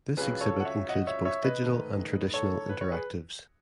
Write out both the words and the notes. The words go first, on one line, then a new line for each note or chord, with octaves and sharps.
This exhibit includes both digital and traditional interactives.
C#2 C#3 F#3 C#4 G#4 B4
A4 C#5
F#5
C#5 E5
D#5 F#5
C#5 E5
C#5 E5
B4 D#5
G#2 D#3 A3
A4 C#5
B4
C#5
G#4 B4